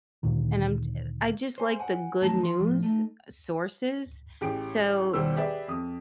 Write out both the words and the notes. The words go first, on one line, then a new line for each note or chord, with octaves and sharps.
and I'm j eh, I just like the good news sources. So,
D2 A#2 D#3
C5 G#5
F#5 G#5
F2 D#3 E3 A3 A5 A#5
E3 C6
A2 F3
A3 D#4
A1 G4 G#4 D7
D#2 B2 G3 C5 E6
G4 G#4 B4 D5 E5
F2 D#6